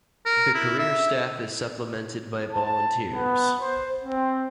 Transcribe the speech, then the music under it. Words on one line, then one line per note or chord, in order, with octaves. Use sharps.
The career staff is supplemented by volunteers.
A#4
E4
E5
A5
B3
C5
C4